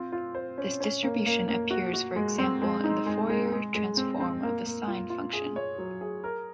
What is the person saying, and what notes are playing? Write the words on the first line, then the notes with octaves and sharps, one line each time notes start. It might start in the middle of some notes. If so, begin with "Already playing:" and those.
This distribution appears, for example, in the Fourier Transform of the Sign function.
Already playing: C4 F4
F4
C5
C#4
C#4
A#3
A#3
A#3
F#4
F#4
G#3
C4
G#3
D#4
G#3
G#3
G#3
G#3
C4
C4
A#3
A#3
F4
F4
G#4
C#5
F#3
G#4
A#4